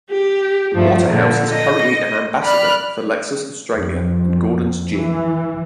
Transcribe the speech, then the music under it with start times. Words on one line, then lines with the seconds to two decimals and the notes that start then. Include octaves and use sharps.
Waterhouse is currently an ambassador for Lexus Australia and Gordon’s Gin.
0.11 G4
0.73 G2 F3 A3
1.08 A#2 D3
1.51 D#5
2.42 D5 B5 F6 F#6
3.75 F2
4.93 E3